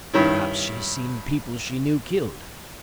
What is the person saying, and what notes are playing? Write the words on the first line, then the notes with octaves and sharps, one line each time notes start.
Perhaps she has seen people she knew killed.
G2 D#3 C#4 E4